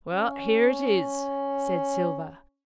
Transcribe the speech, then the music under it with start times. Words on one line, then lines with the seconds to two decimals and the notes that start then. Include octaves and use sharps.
"Well, here it is," said Silver.
0.12 C#4